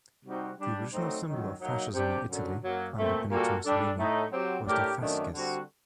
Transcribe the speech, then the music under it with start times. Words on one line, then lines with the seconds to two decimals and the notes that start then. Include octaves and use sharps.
The original symbol of fascism, in Italy under Benito Mussolini, was the fasces.
0.25 C3 G3 C4 D#4 F#4
0.59 G3 D4 G4
0.93 F#3 A3 C4 D#4
1.26 F#2 D#3 F#3
1.60 F#3 A#3 D#4
1.94 C3 G3 D4 G4
2.28 F#2 D3 F#3
2.63 F#2 F#3 A#3
2.97 A#2 A3 C4
3.30 A#2 G3 A#3 F#4 A4
3.64 G3 D4 A4
3.97 A2 A3 D#4
4.32 F#3 C4 G4
4.65 A2 A3 D4 G4 A#4
4.99 F#2 D#3 A3 D4
5.34 D3 G3 C4 F#4